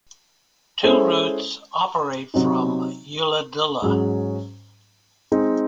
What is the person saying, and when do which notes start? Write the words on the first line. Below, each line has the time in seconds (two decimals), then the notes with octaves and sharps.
Two routes operate from Ulladulla.
0.83 G#3 C#4 E4 A4 C5
2.34 C3 F#3 C4 D#4
3.82 G#2 F#3 C#4 G#4
5.32 G#3 C4 D#4